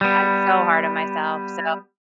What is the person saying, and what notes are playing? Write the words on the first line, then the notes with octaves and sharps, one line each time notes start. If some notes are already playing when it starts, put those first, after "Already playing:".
I'm so hard on myself, so
G3 B3